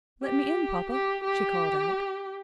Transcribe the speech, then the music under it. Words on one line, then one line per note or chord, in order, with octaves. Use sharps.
"Let me in, papa," she called out.
G4
G4
G4